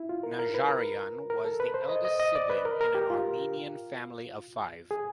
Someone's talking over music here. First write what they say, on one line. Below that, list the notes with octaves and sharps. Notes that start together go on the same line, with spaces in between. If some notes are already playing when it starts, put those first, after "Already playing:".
Najarian was the eldest sibling in an Armenian family of five.
Already playing: E4
F4
A#4
A#4
B4
A#4
A#4
A4
B4
C5
D#5
D#5
D#5
D5
B4
A#4
A#4
G4
F4
G#4